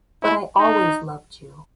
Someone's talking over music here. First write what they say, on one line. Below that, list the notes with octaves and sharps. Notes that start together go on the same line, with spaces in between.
But I always loved you...
E4
D#4